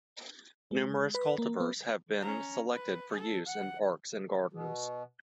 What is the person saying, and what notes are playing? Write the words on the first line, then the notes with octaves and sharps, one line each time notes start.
Numerous cultivars have been selected for use in parks and gardens.
G#3
B4
A#3
B3
C#4 A#5
B4
A4
F#5
B2